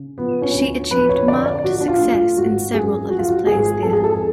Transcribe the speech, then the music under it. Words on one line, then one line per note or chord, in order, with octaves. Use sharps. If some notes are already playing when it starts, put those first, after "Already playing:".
She achieved marked success in several of his plays there.
Already playing: C#3
F3 B3
C#4
D2
F2 B4
C#5
D3 D5
D5
F3 F#4
D4
F4
A3
F4
G#1 F#4
F#2 G#4
F3 F#4
F4
F#4
G#1 G#4
F2 A4
G#4
A4